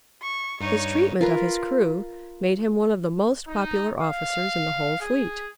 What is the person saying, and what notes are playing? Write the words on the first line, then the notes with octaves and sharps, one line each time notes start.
His treatment of his crew made him one of the most popular officers in the whole fleet.
C#6
G2 D#4 C#5 C#6
F4 A#4 B4
D#4
F5
G#4